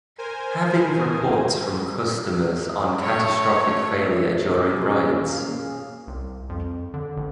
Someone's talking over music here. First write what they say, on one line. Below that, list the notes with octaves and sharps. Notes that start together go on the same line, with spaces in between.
Having reports from customers on catastrophic failure during rides.
A#4 C5 G#5
A3 C#5
B2
G#4
C#4
A#3
F5
A#3
G#4
C2
F2
D3
A1